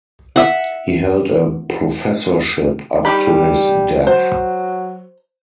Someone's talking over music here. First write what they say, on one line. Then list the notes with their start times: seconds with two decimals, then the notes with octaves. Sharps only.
He held a professorship up to his death.
0.36 E5 F#5
3.05 D#3 G3 G4 B5
4.07 F#3 C5